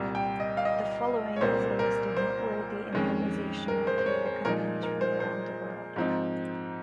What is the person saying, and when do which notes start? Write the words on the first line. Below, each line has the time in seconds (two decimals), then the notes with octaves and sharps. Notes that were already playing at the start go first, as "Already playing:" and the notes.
The following is a list of noteworthy improvisational theatre companies from around the world.
Already playing: C2 A#2 G3
0.15 G5
0.40 D#5
0.57 F5
0.65 D#5
1.36 C#5
1.41 C2 A#2 G3 A#3 C5
1.79 A#4
2.17 C5
2.93 F2 D#3 G#3 C#4
3.68 A#4
3.87 C5
3.98 C5
4.06 C#5
4.26 C5
4.45 A#2 F3 G#3 D#4 A#4
4.83 A#4
5.01 C5
5.20 C5
5.96 G#2 F3 C4 D#4